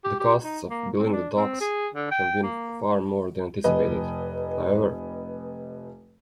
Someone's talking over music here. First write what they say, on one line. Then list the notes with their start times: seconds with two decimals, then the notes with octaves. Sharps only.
The costs of building the docks had been far more than anticipated, however.
0.05 G4
0.20 G4
0.44 D#4
0.70 A#3
0.99 C4
1.13 D4
1.36 C4
1.60 G#4
1.94 D3
2.11 G5
2.43 A#3
3.64 F1 B4 D#5